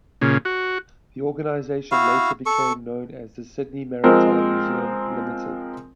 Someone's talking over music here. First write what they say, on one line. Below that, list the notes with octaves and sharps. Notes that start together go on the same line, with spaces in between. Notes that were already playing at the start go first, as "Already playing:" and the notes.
The organisation later became known as the "Sydney Maritime Museum Ltd".
A#2 C#3
F#4
E4 F#4 F5
A4 C#6
F3 G#3 C4 A#4